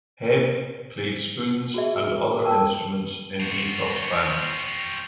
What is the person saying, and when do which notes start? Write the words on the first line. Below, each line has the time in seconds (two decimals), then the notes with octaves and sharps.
Hebb played spoons and other instruments in Acuff's band.
1.74 F#4 G#4 E5
2.45 A4 A#4 G5 A5
3.40 C4 F#4